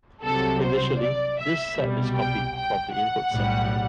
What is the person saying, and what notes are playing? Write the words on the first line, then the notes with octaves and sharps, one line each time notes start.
Initially, this set is copied from the input set.
C2 C3 F#3 A4
C5
D5
E5
C2 B2 G3
G5
G5
F#5
B1 A2 G3